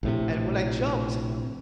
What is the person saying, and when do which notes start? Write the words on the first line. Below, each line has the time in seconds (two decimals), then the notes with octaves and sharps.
and when I jumped,
0.03 A#1 A2 C3